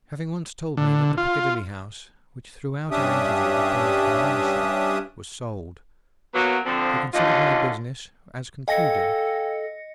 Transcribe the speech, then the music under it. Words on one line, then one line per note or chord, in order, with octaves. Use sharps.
Having once told me that the Piccadilly house--which throughout our interview he called a "mansion"--was sold, he considered my business as concluded.
D3
F4
G2 C#4 D4 G4 E5 D#6
F#3 A#3 B3
D3 F3 C4
D#2 D3 C#4 D4 F4 D#5
A4 D#5 F5 G5 G#5 A#6 C#7